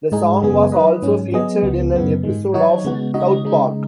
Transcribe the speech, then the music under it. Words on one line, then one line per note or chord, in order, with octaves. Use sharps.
The song was also featured in an episode of "South Park".
G#2 G#3 D#4 G#4
F#2 C#3 G#3 B3 G#4
F#3 D#4 B4 D#5
G#2 F#3 C#4
F#3 B3 G#4 D#5
C#2 C#3 B3
F#2 C#3 B3
G#2 D#3 G#3
D#3 F#3 D#4 F#4 C#5
C#3 G#3 B3 F#4
C#3 G#3 D#4 F#4 D#5
C#3 G#3 D#4